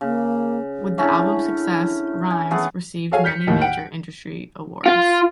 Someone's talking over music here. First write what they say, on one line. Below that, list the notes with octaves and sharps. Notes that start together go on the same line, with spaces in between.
With the album's success, Rimes received many major industry awards.
C#3 A#3
D3 A3 C#4 E4
G#5
E3 A3 B3 G#4
F#4 G#4 A4 C#5 F5 G#5
F6 G6 B6 C#7
D#2 A2 D#3
F#5 G5 D7
F4